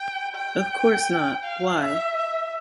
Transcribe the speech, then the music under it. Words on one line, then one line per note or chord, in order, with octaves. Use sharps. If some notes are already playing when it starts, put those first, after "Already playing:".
Of course not; why?
Already playing: G5
G5
F5
E5
E5